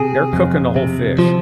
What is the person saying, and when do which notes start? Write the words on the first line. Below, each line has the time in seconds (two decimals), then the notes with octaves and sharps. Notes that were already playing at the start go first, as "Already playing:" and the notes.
They're cooking the whole fish.
Already playing: C3 G#4
0.33 F2
0.76 C3
1.19 F3